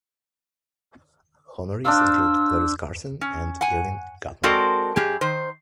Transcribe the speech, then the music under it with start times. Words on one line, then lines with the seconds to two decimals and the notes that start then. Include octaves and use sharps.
Honorees include Clarice Carson and Irving Guttman.
1.85 D4 C5 F5 E6
3.21 C#4
3.61 F#5 G#5
4.43 G#3 C4 F#4 A4 A#4 D5
4.96 F#2 G4 G#4
5.21 D#3 C5